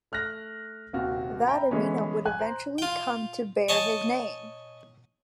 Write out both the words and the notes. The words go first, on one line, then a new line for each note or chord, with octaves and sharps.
That arena would eventually come to bear his name.
A3 F6 F#6 A#6
D#1 D#2 C3 F#4 F6
E5 G5 A#5 B5
D3 E3 G#3 B3 C#4
G#5 F#6
C5 A#5
F4 G5
C#5 D#5 G#5 A5